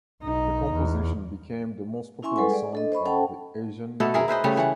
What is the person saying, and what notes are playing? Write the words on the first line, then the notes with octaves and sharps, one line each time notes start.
The composition became the most popular song of the Asian Games.
B1 D#4
E2
C#4 E4 E5 G#5 C6 C#6
G3 G#3 A4 B4 F#5 G#5
G#4 D5
D4 A4 D#5
C5 D#5 B5 C#6
C#4 A4 C5 F#5 G5 A5
B2 A3 B3 A4
E4 G#4 A#4
E4 B4 C5 D#5
C#3 G3 A3 C#4
E3 F#5